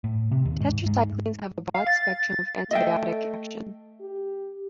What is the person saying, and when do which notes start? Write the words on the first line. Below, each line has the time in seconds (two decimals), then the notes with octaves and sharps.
Tetracyclines have a broad spectrum of antibiotic action.
0.04 A2
0.31 C3
0.45 D#2
0.60 G#2
0.86 G#2
1.74 F5
1.87 A6
2.71 A3 D#5 E5 G5
4.01 G4